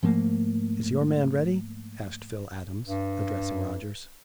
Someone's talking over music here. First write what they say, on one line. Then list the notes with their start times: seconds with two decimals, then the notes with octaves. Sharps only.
"Is your man ready?" asked Phil Adams, addressing Rodgers.
0.03 G#2 F3 A3 A#3
2.86 G2